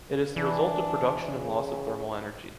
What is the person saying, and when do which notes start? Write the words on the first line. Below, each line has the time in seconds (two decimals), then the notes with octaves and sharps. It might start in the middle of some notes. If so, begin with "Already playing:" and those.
It is the result of production and loss of thermal energy.
0.36 E3 D4
1.26 C#3